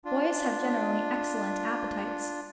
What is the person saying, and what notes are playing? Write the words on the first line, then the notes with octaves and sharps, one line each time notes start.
Boys have generally excellent appetites.
D4 F4